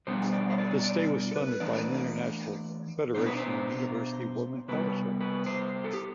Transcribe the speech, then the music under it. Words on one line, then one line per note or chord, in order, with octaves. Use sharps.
The stay was funded by an International Federation of University Women fellowship.
B2 G3 B3 D4 C5
D5
C5
D5
D5
A4
B4
E3 A3 D4 D5
B2 B3 D4 C5
B4
C5
C3 G3 B3 B4
B4
C5
A4
G4